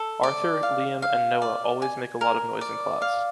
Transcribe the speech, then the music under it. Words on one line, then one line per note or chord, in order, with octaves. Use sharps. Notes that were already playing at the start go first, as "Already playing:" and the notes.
Arthur, Liam and Noah always make a lot of noise in class.
Already playing: A4
D5
F5
F5
D5
G#5
A#4
D5
F5